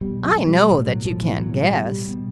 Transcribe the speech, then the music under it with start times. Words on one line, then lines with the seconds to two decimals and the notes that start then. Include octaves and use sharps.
"I know that you can't guess."
0.01 B2 G3
0.24 F#3
0.36 B2
0.48 G3
0.70 A2
0.87 F#3
1.05 A2 F3
1.22 E3
1.39 B2 F#3
1.54 F#3
1.62 G3
1.74 B2
1.85 G3
2.08 B2